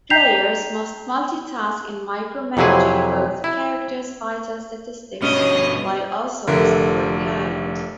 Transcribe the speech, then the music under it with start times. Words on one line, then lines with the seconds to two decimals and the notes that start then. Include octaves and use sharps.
Players must multitask in micromanaging both characters' vital statistics while also exploring the island.
0.10 G5 A#5 G6 B6 C7 F7
2.57 F2 C3 F#3 E4 G#4 B4
3.44 E4
5.22 G2 B2 C#4 D#5
6.47 F1 D3 A#4 E5